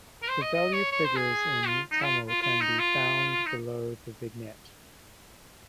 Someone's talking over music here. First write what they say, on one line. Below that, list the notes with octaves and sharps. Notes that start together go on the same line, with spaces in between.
The value figure in Tamil can be found below the vignette.
A#4
C5
D#5
D#5
C#5
C#5
C5
G#4
F4
D#4
F4
F4
F4
D#4
F4
D#4